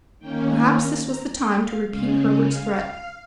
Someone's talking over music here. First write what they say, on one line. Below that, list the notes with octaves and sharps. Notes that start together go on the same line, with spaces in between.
Perhaps this was the time to repeat Herbert's threat.
D#3 A#3 C#4 G5
G#5
A#5
A#5
G5
F5
C#3 G#3 C#4 F5
D#5
F5